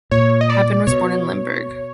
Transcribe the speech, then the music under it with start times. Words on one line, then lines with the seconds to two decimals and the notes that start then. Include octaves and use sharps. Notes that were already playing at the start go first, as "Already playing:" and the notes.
Papen was born in Limburg.
0.11 A#2 C#5
0.41 D#5
0.50 D5
0.87 B2 C#5